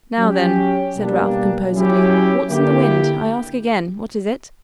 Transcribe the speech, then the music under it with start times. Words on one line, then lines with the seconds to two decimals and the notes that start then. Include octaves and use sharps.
'Now then,' said Ralph, composedly; 'what's in the wind, I ask again? What is it?'
0.18 F#3 C#4 G4
0.96 B2 G3 A#3 D4
1.73 F#3 C#4 E4 G4
2.49 D3 A#3 E4 G4